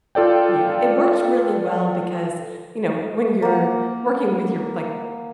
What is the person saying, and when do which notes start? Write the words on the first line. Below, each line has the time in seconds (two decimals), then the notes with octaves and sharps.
Yeah, it worked really well because, you know, when you're working with your like,
0.15 F4 A4 D5 G5
3.42 A#3 F#5